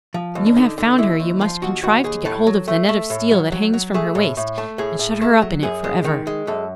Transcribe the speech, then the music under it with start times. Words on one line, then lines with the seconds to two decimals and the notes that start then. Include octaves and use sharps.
When you have found her you must contrive to get hold of the net of steel that hangs from her waist, and shut her up in it for ever.'
0.14 F3
0.35 D#2
0.46 D4
0.57 D3 D#4
0.78 D3
0.98 D#2 E4
1.20 D#2
1.41 F3 F4
1.62 D#2 F#4
1.83 D#2 F#4
2.04 D#2 G#4
2.25 A2 A4
2.47 F#3
2.68 A3
2.89 A3
3.10 A2
3.31 F#3
3.52 F#3
3.74 F#3
3.94 A3 G#4
4.15 A2
4.37 A2
4.58 A3
4.78 A2 G#4
4.99 A2
5.21 A3
5.42 F#3
5.63 F#2 G#4
5.84 G#3
6.05 D#3
6.27 G#3
6.47 F#2 A4